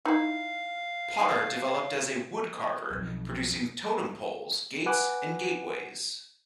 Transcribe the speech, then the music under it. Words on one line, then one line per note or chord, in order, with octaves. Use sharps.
Potter developed as a wood carver, producing totem poles, gates and gateways.
D#4 E4 F5
B1 F2
B4 F#5 G#5 D6 F#6